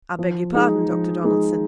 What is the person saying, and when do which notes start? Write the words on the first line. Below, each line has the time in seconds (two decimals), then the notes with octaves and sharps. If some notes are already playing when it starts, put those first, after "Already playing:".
'I beg your pardon, Dr. Donaldson.
0.19 F3
0.53 G#3 D#4 G#4
0.89 F3
1.24 G#3 D#4 G#4